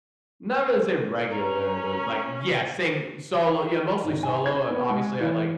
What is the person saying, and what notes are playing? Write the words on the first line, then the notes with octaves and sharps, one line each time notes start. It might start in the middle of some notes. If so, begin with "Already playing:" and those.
not really say regular, but, like Yeah, saying solo Yeah, mostly solo. I've Obviously, I like
C#4 A#5
G#1
G#5
G#6
B3
G#3
E3